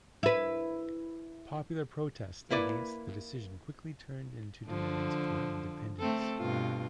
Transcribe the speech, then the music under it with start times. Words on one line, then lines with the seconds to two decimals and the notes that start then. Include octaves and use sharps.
Popular protest against the decision quickly turned into demands for independence.
0.23 E4 B4
2.50 A#3 E4 B4 D5
4.67 D3 F3
5.99 A3 C4 A4
6.37 G2 B2 F4